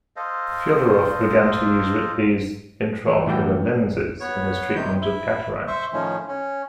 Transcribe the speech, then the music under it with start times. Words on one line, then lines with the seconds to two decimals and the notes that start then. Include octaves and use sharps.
Fyodorov began to use Ridley's intraocular lenses in his treatment of cataract.
0.16 A4 C5 D#5 F5
3.06 E3 C5 C#5
3.26 A2 E3 G3 F#4 G5
4.20 B3 C#5
4.76 C3 D#3 G6
5.01 E4
5.68 C5 E5 C#6
5.93 A2 D#3 F3 C#4
6.28 C#4